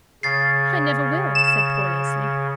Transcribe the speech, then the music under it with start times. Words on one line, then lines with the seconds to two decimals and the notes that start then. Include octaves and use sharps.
"I never will," said poor Leslie.
0.23 C#3 A6 C7
1.35 E7